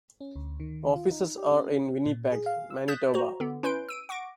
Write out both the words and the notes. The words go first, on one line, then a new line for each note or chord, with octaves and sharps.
Offices are in Winnipeg, Manitoba.
C#4
D2
D#3
F4
D#4
G4
C#4
A#2
G#4
F5
E6
D#6 F#6 G6 A6 B6 E7
F#4 C5 A#5
D3 B3
C#4 E4 B4 C6 G6 D7
E6 D7 D#7
F#5 C#6 D6 A#6 D7